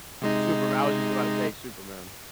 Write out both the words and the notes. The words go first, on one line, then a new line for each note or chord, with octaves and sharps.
Superma I was just about to say Superman.
C3 G#3 D#4